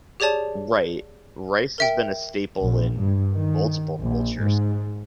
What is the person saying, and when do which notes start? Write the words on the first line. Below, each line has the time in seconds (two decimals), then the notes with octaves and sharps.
Right, rice has been a staple in multiple cultures,
0.20 G4 G#4 C#5 D5 A5
1.78 A#4 E5 G5
2.58 A#1
2.98 G2
3.33 D#3
4.00 A#1
4.40 G#2